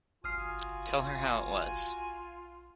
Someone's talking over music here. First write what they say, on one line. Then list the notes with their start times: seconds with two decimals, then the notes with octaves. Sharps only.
Tell her how it was.
0.24 G1 F4 F#4 G#5 D#6 F6 C7